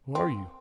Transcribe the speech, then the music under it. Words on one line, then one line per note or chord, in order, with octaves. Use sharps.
"Who are you?"
C4